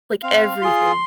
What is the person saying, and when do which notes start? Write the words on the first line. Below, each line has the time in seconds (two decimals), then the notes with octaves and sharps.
Like, everything.
0.23 C4 F5
0.62 F4 G#4 C6